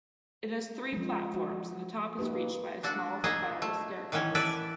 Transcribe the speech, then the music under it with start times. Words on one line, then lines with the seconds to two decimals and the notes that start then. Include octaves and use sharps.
It has three platforms and the top is reached by a small spiral staircase.
0.93 F3 G#3
1.34 F#4
2.19 A#3 D#4 G4 B4
2.83 D4 F#4 A4
3.24 A#3 B3 D#4 G#4 D#5 E5
3.62 A3
4.12 D#3 E3 B3 C#4
4.35 A4 B4 D5 E5